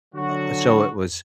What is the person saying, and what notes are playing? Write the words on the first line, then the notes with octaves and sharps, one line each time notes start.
Uh, so it was
D3 F#3 F#4